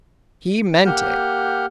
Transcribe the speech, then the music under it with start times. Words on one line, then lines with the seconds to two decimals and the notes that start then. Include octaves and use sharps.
He meant it.
0.86 A#3 G4 F#5 F6 G6